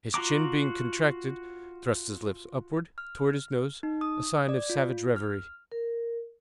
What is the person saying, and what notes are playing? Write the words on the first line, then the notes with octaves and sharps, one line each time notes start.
His chin being contracted, thrust his lips upwards towards his nose, a sign of savage revery.
F4 F#4 A#5 D6
F6
D#4
D#6
D5
F4
F6
A#4